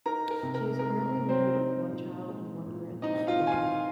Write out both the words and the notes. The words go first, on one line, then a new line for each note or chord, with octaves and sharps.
She is currently married with one child and one grandchild.
D#4 A#4 A#5
A#4
C3
A#4
G#3 A#4
C3
C4 C5
D#4
A#2
G#3
A#2
C4 D#4 D#5
F4 F5
D#3
G#5
F4 F5